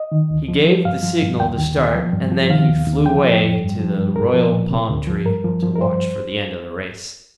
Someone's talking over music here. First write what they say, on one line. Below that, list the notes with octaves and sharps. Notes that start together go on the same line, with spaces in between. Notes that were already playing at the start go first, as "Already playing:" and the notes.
He gave the signal to start and then he flew away to the royal palm tree to watch for the end of the race.
Already playing: D#5
D#3
D2
F3
F3
G2 F5
F3
G2
D#2 G5
D#2
D#2
F3
G2
F3
D#3 F5
D#2
D#2
F3 G5
F3
F2
G2
F3
G2
C2 A#4
F3
A#2
C3
D2
F3
G2 A#4
F3
F3
A#4
G2 C5